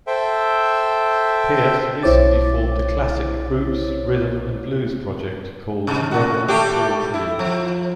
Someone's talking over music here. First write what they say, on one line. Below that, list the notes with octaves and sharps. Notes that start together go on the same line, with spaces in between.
Pierce recently formed a classic roots, rhythm and blues project called Reverend Tall Tree.
A4 C5 E5 G5
B1 E4 C5 C#5 D6 A6
C3 D#3
C3 F#4
G3 A3 G4
E4
F3